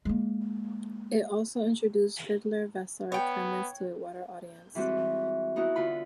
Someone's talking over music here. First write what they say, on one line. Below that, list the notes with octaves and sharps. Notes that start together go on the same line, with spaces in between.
It also introduced fiddler Vassar Clements to a wider audience.
G#3 A#3
B3 C#5 G5
E3 G3 G#3 C4 F#4
B3 D#4 E4 F#4
D3 F4 B5